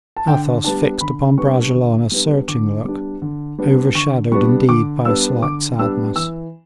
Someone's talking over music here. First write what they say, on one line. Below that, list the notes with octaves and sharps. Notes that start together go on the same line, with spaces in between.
Athos fixed upon Bragelonne a searching look, overshadowed indeed by a slight sadness.
A5
D3 G5
G3 B3 D4 A5
D3 B5
G3 B3 D4 C#6
D3
G3 B3 D4
D3 D6
G3 B3 D4
D3
G3 B3 D4
D3 C#6
G3 B3 D4 C#6
D3 D6
G3 B3 D4 E6
D3 D6
G3 B3 D4 E6
E3 E6